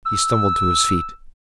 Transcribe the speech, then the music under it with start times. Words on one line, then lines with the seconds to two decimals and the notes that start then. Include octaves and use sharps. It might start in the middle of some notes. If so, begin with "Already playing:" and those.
He stumbled to his feet.
0.06 E6